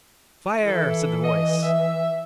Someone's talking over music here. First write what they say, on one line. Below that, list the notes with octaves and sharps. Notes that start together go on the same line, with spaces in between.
"Fire!" said the voice.
E3 E4 A4
D#5
E5